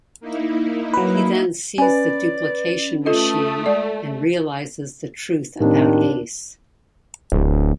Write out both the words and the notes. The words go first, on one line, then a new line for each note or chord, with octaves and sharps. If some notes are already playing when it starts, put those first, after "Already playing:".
He then sees the duplication machine and realises the truth about Ace.
A#3 D#4 E4
F#3 B4
C#4 B4 D5 G#5
A3 F4 A4 D#5 D#6
G#3 D5
D#2 A2 D#3 C4 D4
D1